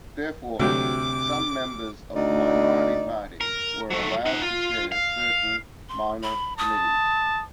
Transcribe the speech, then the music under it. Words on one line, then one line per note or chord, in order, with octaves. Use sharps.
Therefore, some members of the minority party were allowed to chair certain minor committees.
D2 C3 F#3 G4 D6
D2 D#4 D5
A#4
F#3 A3
D#4 F#5
F4
F5
C6
B5
A5 D#6